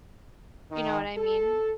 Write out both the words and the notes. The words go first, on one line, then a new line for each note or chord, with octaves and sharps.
you know what? I mean,
D#3
A4